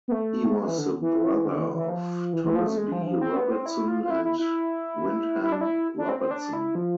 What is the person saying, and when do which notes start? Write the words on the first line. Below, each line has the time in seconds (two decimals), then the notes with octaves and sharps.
He was the brother of Thomas B. Robertson and Wyndham Robertson.
0.08 B3
0.12 A3
0.57 G#3
0.68 E3
0.78 D3
1.01 E3
1.45 D3
1.60 E3
1.75 E3
1.89 F3
2.33 E3
2.44 E3
2.55 F3
2.66 A3
2.77 G#3
2.92 F3
3.02 E3
3.07 F3
3.21 C4
3.36 B3
3.51 C4
3.66 E4
3.88 F4
4.04 F4
4.10 E4
4.25 E4
4.39 E4
5.43 E4
5.52 D4
5.61 E4
5.98 D4
6.09 C4
6.20 C4
6.31 D4
6.53 E4
6.75 F3